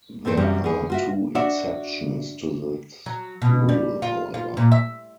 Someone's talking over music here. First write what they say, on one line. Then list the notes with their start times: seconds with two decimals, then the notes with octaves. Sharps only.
There are two exceptions to this rule, however.
0.25 D#2 A3 C4 A#4 C5
0.37 F#2 C3 F#3 G3 C4 C#4
0.64 E2 G#4
0.90 F4 F#4 E5
1.35 D4 F#4 E5
3.06 F#3
3.42 B2
3.69 G3
4.02 F4
4.34 F4
4.57 A#2
4.72 E5